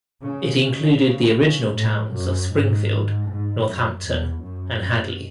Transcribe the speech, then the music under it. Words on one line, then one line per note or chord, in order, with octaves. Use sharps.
It included the original towns of Springfield, Northampton, and Hadley.
C#3
C#3
C#3
C#3
A2
F#2
G#2
G#2
F#2
E2
F#2